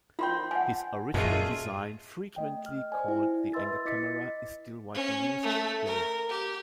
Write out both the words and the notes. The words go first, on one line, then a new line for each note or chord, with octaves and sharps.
His original design, frequently called the Anger camera, is still widely used today.
A#3 C4 F4 G5 C6
F3 F#5 G#5
F#2 A#2 G#3 A3 F4 G#4 C#5
A3 D#5 G5
F6
C5 D5 G#5
E4
B4 D#5 E5 C6 E6 A6
E4 D#5 D6 A6 B6 C#7
C#4
A3
A#4
G4